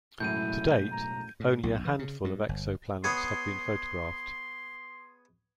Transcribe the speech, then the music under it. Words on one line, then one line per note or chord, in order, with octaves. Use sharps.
To date, only a handful of exoplanets have been photographed.
B1 F#2 A2 G#3 E4 G6 D#7
A#5
A2
B1
E3
C#3
G2
G1
B3 G#4 C#5 C6